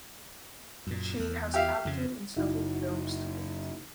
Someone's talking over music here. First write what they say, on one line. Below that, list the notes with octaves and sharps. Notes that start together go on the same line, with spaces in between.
She has acted in several films to date.
F#2 A#2
E2
G4 E5 F5
F2 C#3
F#1 D#4 E4 F#4